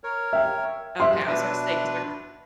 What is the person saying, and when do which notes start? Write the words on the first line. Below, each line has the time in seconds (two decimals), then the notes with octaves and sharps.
Okay, I was about to say, 'cause they're
0.04 A#4 C#5
0.33 E5 G5
1.00 F3 G#3 E5 C6 F#6
1.27 B2 D4 B4